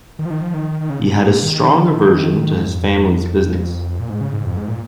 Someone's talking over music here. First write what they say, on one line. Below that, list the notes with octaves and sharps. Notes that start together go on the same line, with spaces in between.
He had a strong aversion to his family's business.
D#3
F3
D#3
F3
D#3
D#3
C#3
A#2
G#2
A#2
D#3
D#3
D#3
D#3
G#2
F2
A#2
G#2
C#3
G#2
F2
G#2
A#2